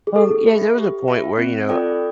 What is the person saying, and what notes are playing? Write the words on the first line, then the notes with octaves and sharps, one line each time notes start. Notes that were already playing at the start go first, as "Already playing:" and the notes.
Um, yeah, there was a point where, y you know,
G#4
G4 A4
B4 E5
G4
B4 E5
C4
F4 A4 D5 G5